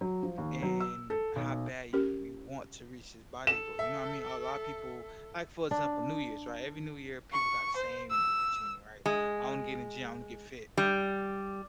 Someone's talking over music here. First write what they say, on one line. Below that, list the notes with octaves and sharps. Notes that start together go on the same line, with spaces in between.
and how bad you you want to reach this body goal, you know what I mean? A lotta people, like, for example, New Year's, right? Every New Year, people got the same routine, right? "I wanna get in the gym, I wanna get fit."
F#3
F3
D#2
F#3
E6
A4
B1
C#4 G4 A#4
A4 E7
E5
D4
C#6
C5
E6
G#3
G3